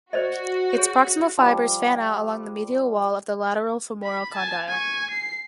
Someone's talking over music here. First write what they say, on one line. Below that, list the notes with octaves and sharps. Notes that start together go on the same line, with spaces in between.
Its proximal fibers fan out along the medial wall of the lateral femoral condyle.
F#4 C5 D5 D#5
G#4 C#5
F3 G3
B5
G#5 A5
G#5 C#6
C7